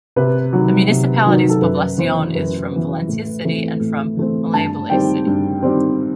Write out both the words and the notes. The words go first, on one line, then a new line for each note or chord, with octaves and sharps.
The municipality's Poblacion is from Valencia City and from Malaybalay City.
C3 B4
D#3 F#3
C3
D#3 F#3
A4
F#2 B4
E3 B3 C5
F#2 B4
E3 B3
A2
E3 A3 C4
A2
E3 A3 C4
G2 A5
D#3 G3 C4 G5
G2
D#3 G3 C4